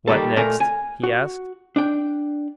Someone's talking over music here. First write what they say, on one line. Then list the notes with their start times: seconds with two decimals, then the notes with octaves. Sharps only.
"What next?" he asked.
0.08 D#3 G3 A#3 A4
0.36 A#2 A3 A#4 G#5
0.60 G#5
1.03 F#4
1.76 D4 G5